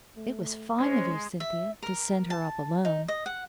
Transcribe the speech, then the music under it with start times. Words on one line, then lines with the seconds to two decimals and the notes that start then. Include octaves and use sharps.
It was fine of you, Cynthia, to send her up alone!
0.16 A3
0.80 G#3 C#4 C5
1.40 E5
1.83 A#4
2.30 A5
2.85 D#4
3.08 D#5
3.26 F#5